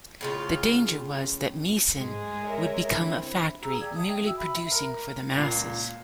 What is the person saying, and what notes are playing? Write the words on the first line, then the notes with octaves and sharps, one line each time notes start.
The danger was that Meissen would become a factory merely producing for the masses.
A2 C#3 F4
G#2 G#3 G#4
A#4 C#5 E5
D3 C4 E4
G#4 A#5 E6
G4 D5 F5 G#6
E5 A5 D#6
G5
F#4 E5 E6
E5 B5
A#4
C#2 A#2 C7